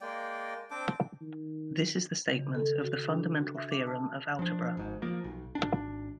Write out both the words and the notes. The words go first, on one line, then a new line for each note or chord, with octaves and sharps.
This is the statement of the "fundamental theorem of algebra".
G#3 A#3 D5 G5
C4 D4 G5 D6
D#3
C#3
D#3
A4
F#4
D4
F#4
E5
D6
A5
F3 D4
G#1 G#2
F3 A#3
B1
G#1 D4